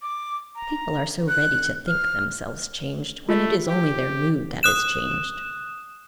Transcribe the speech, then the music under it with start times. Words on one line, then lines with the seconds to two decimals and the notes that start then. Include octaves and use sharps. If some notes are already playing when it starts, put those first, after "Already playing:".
People are so ready to think themselves changed when it is only their mood that is changed!
0.02 D6
0.55 A#5
1.28 F#6
1.87 F6
3.29 A3 F4
3.68 G4
4.63 D#6 F#6 E7